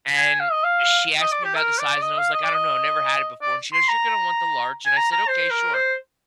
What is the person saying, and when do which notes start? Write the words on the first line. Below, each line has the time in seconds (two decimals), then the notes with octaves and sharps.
And she asked me about the size, and I was, like, "I don't know, I never had it before." And she goes, "You're gonna want the large." And I said, "Okay. Sure."
0.16 G#5
0.40 F5
0.51 D#5
0.64 F5
1.21 D#5
1.32 D5
1.44 G4
1.55 A#4
1.79 D5
2.02 D#5
2.18 F5
2.33 D#5
2.43 D5
2.54 D#5
3.42 D5
3.73 C6
3.88 A#5
4.85 G#5
4.97 A#5
5.12 A#5
5.28 C5
5.50 A#4
5.74 C5